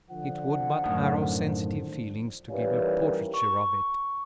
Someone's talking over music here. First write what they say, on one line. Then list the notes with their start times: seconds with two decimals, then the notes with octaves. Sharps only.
It would but harrow sensitive feelings to give a portraiture of it.
0.10 D3 F3 F#5
0.84 F#2 A2 D#3
2.50 D#3 E3 G3 C#4 F4 A#4
3.34 C#6